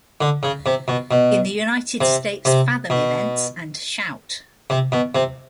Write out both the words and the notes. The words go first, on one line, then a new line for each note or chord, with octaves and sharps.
In the United States Fathom Events and Shout!
D3
C#3
C3
B2
B2
C3
C3
B2
C3
B2
C3